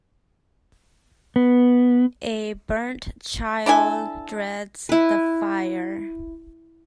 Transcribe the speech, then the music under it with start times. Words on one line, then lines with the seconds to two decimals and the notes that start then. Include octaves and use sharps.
A burnt child dreads the fire.
1.36 B3
3.66 D4 E4 A4 G#5
4.89 E4 B4